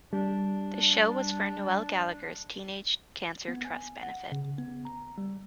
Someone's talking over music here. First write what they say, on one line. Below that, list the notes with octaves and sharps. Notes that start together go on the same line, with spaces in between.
The show was for Noel Gallagher's Teenage Cancer Trust benefit.
G3 D4
B3
G#5
F#5
C#3
B3
A#5
G3